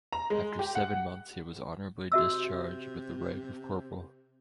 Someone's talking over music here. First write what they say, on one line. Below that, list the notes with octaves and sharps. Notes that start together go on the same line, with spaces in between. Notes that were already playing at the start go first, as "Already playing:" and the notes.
After seven months he was honorably discharged with the rank of corporal.
A#5
G#3
G4
F#5
C3 F#4 E5 E6